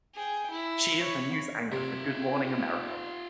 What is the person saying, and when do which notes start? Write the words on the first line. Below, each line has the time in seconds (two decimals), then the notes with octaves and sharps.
She is the News Anchor for "Good Morning America".
0.14 G#4 G5
0.51 E4
1.00 C#5 B5
1.72 C3 F4 E5